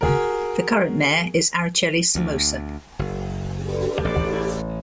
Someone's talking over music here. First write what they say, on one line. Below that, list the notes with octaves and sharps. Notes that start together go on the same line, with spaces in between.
The current mayor is Araceli Somosa.
F#4 G#4 A#4
D2
F#1
A1